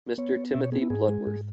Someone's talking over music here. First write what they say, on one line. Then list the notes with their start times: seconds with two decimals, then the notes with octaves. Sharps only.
Mr. Timothy Bloodworth.
0.18 B3 C#5
0.36 B3
0.54 B2 E5
0.63 C#5
0.72 B3 G#4
0.82 E4
0.90 G#2 G#4
1.08 G#3
1.27 G#2